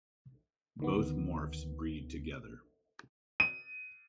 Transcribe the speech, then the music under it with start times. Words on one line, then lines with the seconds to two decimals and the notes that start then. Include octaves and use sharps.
Both morphs breed together.
0.80 D2 D#3 B3
3.40 D#7